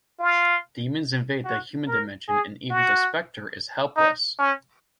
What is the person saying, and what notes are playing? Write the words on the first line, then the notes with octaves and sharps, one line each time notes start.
Demons invade the human dimension and even the Spectre is helpless.
F4
F#4
A#4
G#4
F#4
D#4
C#4